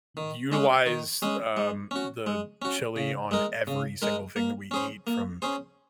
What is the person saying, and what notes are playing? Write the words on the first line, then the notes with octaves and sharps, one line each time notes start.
utilize, um, the chili on every single thing that we eat from,
D#3
G#3 C#4 G#4
D#3
G#3 C#4 G#4
G#3
C#4 F#4
G#3
C#4 F#4
C#3
G#3 D#4 A#4
C#3
G#3 D#4 A#4
A#3
C#4 G#4 C5
A#3
C#4 G#4 C5